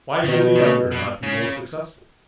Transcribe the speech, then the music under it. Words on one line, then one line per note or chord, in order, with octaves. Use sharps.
Why should the younger not be more successful?
C#3
B2 D#3
D#3
C#3
B2
C#3